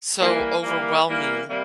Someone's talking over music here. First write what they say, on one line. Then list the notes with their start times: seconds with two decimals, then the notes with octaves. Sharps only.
so overwhelming
0.19 E3 G3 A#3
0.62 E3 G3 A#3
1.05 E3 G3 A#3
1.48 C3 G3 A#3